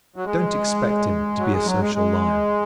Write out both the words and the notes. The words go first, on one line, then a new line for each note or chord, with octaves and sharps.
Don't expect him to be a social lion.
F#3
G#3
F#3
G#3
F#3
G#3
G#3